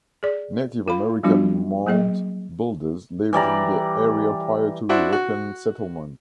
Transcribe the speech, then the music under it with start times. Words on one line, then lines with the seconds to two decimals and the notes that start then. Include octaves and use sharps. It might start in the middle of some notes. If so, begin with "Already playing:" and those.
Native American mound builders lived in the area prior to European settlement.
0.23 G#4 D5
0.88 F4 F5 B5
1.23 F3 G3 B3 D4 F4 F#4
1.87 F#3 A#3 G#4 D#5
3.33 E3 G3 D5 A#5
4.89 D4 E4 F#4 C5
5.13 F#4